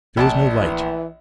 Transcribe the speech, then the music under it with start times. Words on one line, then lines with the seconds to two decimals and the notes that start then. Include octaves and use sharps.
There was no light.
0.17 A#1 A3 D5 A5
0.59 E3